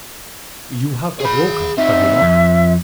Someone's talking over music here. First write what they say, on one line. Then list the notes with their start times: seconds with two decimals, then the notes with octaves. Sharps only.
"You have a broker, have you not?"
1.20 G#4 B5
1.77 C4 D#4 E5
2.22 F2